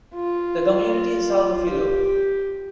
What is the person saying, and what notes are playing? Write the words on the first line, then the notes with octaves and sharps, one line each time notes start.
The community is south of Hilo.
F4
G4